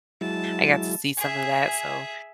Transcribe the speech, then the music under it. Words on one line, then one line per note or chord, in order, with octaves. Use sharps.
I got to see some of that, so
F#3 G#3 E4 A5
G#4 E5 G#5